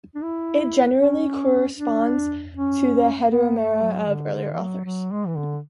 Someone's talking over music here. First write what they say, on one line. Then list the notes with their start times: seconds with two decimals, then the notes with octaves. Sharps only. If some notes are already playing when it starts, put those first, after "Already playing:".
It generally corresponds to the Heteromera of earlier authors.
0.15 D4
0.23 E4
1.00 C#4
1.77 D4
2.55 C#4
3.31 B3
3.57 A3
3.83 F#3
4.08 D3
4.34 D3
4.54 E3
4.59 F#3
4.85 F#3
5.12 G#3
5.27 E3
5.36 D3